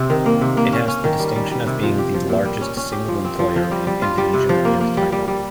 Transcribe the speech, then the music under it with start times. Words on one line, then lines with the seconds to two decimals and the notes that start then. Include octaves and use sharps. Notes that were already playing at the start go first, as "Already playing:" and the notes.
It has the distinction of being the largest single employer in Indonesia and Taiwan.
Already playing: C3 C4
0.10 D#3
0.26 A#3
0.41 C3
0.57 A#3
0.73 C#4
0.88 C#4
1.04 D#3
1.20 G3
1.36 G3
1.51 G3
1.67 C3
1.83 F3
1.98 G4
2.14 F3
2.29 A#2
2.45 G3
2.61 C#4
2.77 C#4
2.92 G4
3.08 F3
3.24 C4
3.39 F3
3.56 F3
3.71 G3
3.87 G3
4.02 F4
4.18 G3
4.34 C3
4.49 F3
4.65 A#3
4.81 A#3
4.97 G3
5.12 G3
5.28 G3